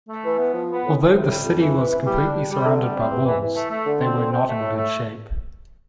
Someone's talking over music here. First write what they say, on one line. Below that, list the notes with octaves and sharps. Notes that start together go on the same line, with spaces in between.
Although the city was completely surrounded by walls, they were not in good shape.
A3
E3
B3
F3
B3
A2
A2
C3
G3
F2
E3
B4
E3
G3
D4
G3
G3
D3
G3
C4
E2
E3
E3
A3
A3
D3
C4
D3
C4
A3
A2
A3